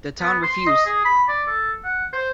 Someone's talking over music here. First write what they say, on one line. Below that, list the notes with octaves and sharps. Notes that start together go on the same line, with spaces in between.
The town refused.
B3
C6
D#5
G#4
B5
D5
A4
F#5
C5